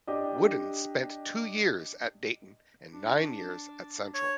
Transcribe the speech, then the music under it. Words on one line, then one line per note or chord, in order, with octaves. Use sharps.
Wooden spent two years at Dayton and nine years at Central.
D4 G4 D5 D#5
D4
C#5